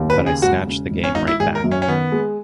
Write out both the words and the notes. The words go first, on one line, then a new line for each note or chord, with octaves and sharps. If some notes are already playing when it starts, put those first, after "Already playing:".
But I snatch the game right back.
Already playing: D#2
B4
C#3
G#4
E1 F#4
C#3
G#1
C#4
G#1 D#4
E4
G#1 G#4
A#4
F#2
C#4
C#4
D#3 B3
G#3